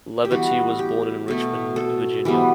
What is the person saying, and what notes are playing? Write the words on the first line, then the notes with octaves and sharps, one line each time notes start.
Leverty was born in Richmond, Virginia.
G4
E3 G3 B3 F#4
G4
B2 A3
A4
E3 G3 B3